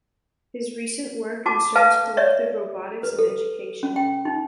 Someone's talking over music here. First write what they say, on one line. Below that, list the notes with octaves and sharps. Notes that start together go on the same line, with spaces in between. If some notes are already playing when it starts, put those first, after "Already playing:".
His recent work concerns collective robotics and education.
F#4 A5 D6
A4 B4 F5 A5
C#5 D5 E5
B4
A4
C#4
G5
D#4